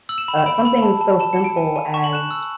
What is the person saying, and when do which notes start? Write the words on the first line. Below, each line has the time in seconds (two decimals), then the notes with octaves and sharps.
Uh, something so simple as
0.09 E6 F#7
0.18 E7
0.28 B5
0.37 E7
0.46 B5 D7
0.65 B5
0.83 A5
1.01 A5
1.20 A5 E7
1.33 C#7
1.39 A5
1.44 D7
1.57 G#5
1.76 G#5
1.94 C#6 E7
2.04 F#7
2.13 F#6 E7
2.31 E6